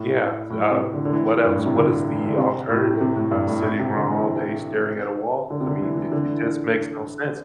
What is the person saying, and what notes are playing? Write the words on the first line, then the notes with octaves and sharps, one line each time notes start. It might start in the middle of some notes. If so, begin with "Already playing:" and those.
Yeah, so, um, what else what is the alternative? Sitting around all day staring at a wall? I mean, did it just makes no sense.
Already playing: A2
A2
C3
D3
D3
E3
G2
A2
C3
D3
E3
D3
C3
A2
C3
A2
G2
A2
A2
C3
D3
E3
D3
C3
D3
E3
E3
D3
E3